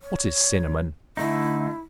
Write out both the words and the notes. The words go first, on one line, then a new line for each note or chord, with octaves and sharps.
What is Cinnamon?
C#5
D3 A3 D#4 E4